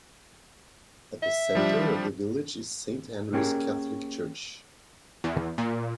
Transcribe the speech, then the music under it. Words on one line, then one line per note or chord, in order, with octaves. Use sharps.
At the center of the village is Saint Henry's Catholic Church.
E5
F3 G3 D4
A#3 C#4 G4 G#4 A#4
E2
A#2